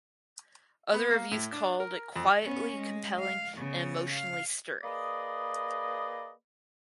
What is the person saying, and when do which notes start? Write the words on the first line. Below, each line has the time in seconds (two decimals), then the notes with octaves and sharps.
Other reviews called it "quietly compelling" and "emotionally stirring".
0.94 B3
1.11 A#3
1.31 A2
1.53 D4
1.80 A#4
2.16 F2
2.44 B3 C#4
2.76 G#3
3.20 F5
3.57 C#3 B3
4.13 F5
4.84 A#3 G#4 B4 D5 D#5